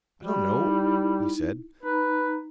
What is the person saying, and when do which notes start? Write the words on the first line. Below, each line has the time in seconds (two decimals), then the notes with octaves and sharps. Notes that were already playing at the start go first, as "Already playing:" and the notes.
"I don't know," he said.
0.22 G3 F#4
0.62 D#4 E4
1.83 D#4 B4 A#5